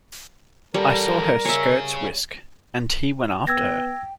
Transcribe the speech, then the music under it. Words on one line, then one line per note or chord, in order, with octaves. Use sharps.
I saw her skirts whisk, and he went after her.
G3 C#4 A4 A#4
C#4 G#4 C#5 E5
B3 G5 E6 G#6 A#6